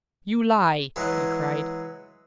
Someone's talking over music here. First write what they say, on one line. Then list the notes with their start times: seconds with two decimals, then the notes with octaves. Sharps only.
"You lie!" he cried.
0.96 E3 F#3 G#3